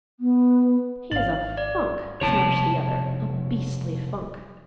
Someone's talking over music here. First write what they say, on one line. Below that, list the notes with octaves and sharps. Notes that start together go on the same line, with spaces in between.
"He's a funk!" snapped the other, "a beastly funk!"
B3
G#1 F5 A6 F#7
D5
F1 G#2 B2 C#5 A5